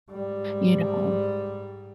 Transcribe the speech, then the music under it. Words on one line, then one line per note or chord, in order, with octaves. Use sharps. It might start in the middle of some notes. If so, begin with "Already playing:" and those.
You know?
G#2 G3